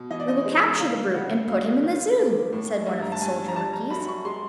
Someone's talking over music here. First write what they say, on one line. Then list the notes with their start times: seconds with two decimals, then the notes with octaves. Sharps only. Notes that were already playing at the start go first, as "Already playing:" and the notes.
"We will capture the brute and put him in the Zoo," said one of the soldier-monkeys.
Already playing: B2
0.11 E3 D#5
0.20 D5
0.28 D#5
0.45 G#3
0.80 C#3 F5
1.14 C#3 F#5
1.49 F#3 F5
1.83 D#3
2.18 A#3
2.52 A2
2.87 G2 E5
3.02 A#5
3.12 A5
3.21 G2 G#5
3.48 A#5
3.56 G3 A5
3.73 A#5
3.90 F#2 B5
4.08 C#6
4.25 G#3 C6